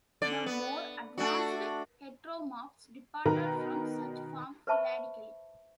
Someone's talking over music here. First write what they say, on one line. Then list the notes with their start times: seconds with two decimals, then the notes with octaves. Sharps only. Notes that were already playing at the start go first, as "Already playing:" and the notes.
The more advanced heteromorphs departed from such forms radically.
0.22 D3 D5
0.46 B3
1.18 A3 D4 F#4
3.26 B2 D#3 B3 A#4 B4 A#5
4.67 B4 C5 E5 A5 B5 C#6